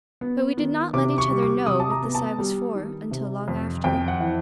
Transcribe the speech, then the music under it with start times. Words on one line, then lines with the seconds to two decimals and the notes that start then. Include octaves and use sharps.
But we did not let each other know what the sigh was for, until long after.
0.21 B3
0.57 D#3
0.93 C3 D6
1.18 C#6
1.30 G3
1.43 D6
1.66 C3 D#6
1.80 A5
1.90 A#5
2.03 B3
2.15 A5
2.39 G3
2.75 D#3
3.11 C3
3.48 F2
3.84 F2 G5
4.08 F#5
4.20 E3